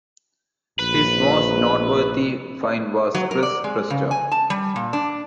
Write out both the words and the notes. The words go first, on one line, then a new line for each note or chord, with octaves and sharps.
His most noteworthy find was Chris Crutcher.
A#1 B4
F#3
A#4
D5
G#3
C#3
G#5
A5
G3
A#2
D4